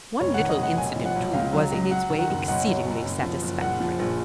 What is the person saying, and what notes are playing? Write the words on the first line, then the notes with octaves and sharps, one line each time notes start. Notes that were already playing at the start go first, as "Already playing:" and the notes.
One little incident, too, was in its way exceedingly satisfactory.
F1 C#5
D#3 F#5
D#5
F1
F#5
B1 G#5
F3
F#5
B1
C#2 F5
F#3
C#2
F#3 F#5
D#3
F#5
F#1
B1 F#5
F#3
B1
F#1
F3
F#1
A#1 F#5
F3
A#1